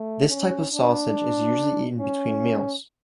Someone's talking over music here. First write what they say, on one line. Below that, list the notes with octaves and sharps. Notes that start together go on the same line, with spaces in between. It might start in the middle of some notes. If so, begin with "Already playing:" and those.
This type of sausage is usually eaten between meals.
Already playing: A3
C#4
D4
C#4